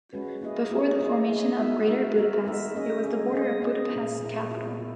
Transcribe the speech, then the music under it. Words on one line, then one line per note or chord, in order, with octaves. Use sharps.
Before the formation of Greater Budapest it was the border of Budapest Capital.
G#3 C#4 F#4 B4
A#3 E4 G#4 D#5
A#3 E4 G#4 D#5
A#3 E4 G#4 D#5
A#3 E4 G#4 D#5
G#3 D#4 F#4 A#4 E5
G#3 D#4 F#4 A#4 E5
G#3 D#4 F#4 A#4 E5
G#3 D#4 F#4 A#4 E5
A#3 C#4 G#4 D#5
A#3 C#4 G#4 D#5
A#3 C#4 G#4 D#5
A#3 C#4 G#4 D#5
A#2 A#3 E4
A#2 A#3 E4
A#2 A#3 E4
A#2 A#3